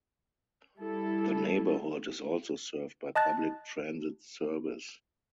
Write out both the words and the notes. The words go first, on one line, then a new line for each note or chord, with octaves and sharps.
The neighborhood is also served by public transit service.
G3 E4 A4
D#5 A5 F#6 A6